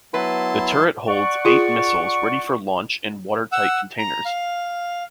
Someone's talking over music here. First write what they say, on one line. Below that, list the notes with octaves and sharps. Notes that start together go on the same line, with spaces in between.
The turret holds eight missiles ready for launch in watertight containers.
F#3 B3 E4 B4 A5 C6
D5 F#5 C#6
F4 G#4
F#5 E6
A#5
F5